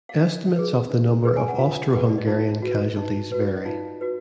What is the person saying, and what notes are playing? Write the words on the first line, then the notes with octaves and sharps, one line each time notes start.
Estimates of the number of Austro-Hungarian casualties vary.
F5
D4 D#5
G#4 B4
D4
G#4 B4
G#5
F#5
D4 F4 F5
G#4 B4
D5
D#5
D#4 F4 F5
F#4 B4
D#4 D#5
F#4 B4
D5
D#5
D#4 F4 F5
F#4 B4